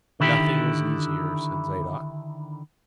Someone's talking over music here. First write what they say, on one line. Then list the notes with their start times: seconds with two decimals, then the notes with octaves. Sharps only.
"Nothing is easier," said Zadok.
0.20 D3 D#3 E4 G4